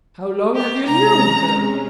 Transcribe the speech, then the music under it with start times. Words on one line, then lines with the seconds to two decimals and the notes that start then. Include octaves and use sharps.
"How long have you known her?"
0.55 G4
0.86 C3 G#3 C#4 A#5